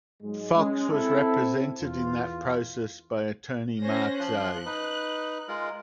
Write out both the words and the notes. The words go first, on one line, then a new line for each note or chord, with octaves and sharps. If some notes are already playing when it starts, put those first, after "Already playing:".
Fox was represented in that process by attorney Mark Zaid.
G#2 F#3 G#3
G#3 C#4
C4 E4 A4
E2 F4
C#4 C5 A#6
F3 F4 C6 F#6
D#4 B4
G#3 F4 A#4